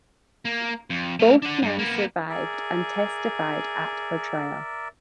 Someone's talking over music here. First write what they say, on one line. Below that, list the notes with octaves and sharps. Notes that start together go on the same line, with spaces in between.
Both men survived and testified at her trial.
A#3
F2
A3 F5
D4 F#5
G2
A#3 B3
G#4 A#4 D5 E5